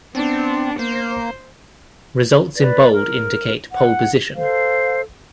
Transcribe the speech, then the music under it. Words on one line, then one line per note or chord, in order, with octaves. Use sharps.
Results in bold indicate pole position.
B3 C4 D4
A#3 C5
B4 D5
A#4
F#5
A4 C5 F5